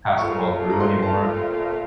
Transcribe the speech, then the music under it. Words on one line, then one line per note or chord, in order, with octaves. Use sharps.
pass them all through anymore.
A#2 A3 C4 F4 C#6
A5
A#5
C6
A5